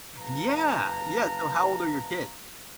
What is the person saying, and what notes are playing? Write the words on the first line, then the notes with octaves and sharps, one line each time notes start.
Yeah, yeah. So how old are your kids?
F#1 B4 F5 A5 A#5